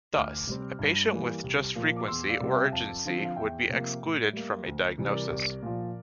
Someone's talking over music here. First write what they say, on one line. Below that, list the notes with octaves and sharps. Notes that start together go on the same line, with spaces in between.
Thus, a patient with just frequency or urgency would be excluded from a diagnosis.
D2 D6 F6
C3 G3 C4
G2
E3 G3 A#3
C2
A#2 F3 A#3
D6
E2 C6 E6
D5 F5
C3 G3 C4
E5 G5
F2 F5 A5
D3 F3 C4
F5
E2 E5 G5
C3 F3 A#3
A2
G3 A#3
D2
C3 E3 G3
A#4 D5
C2
A#2 F3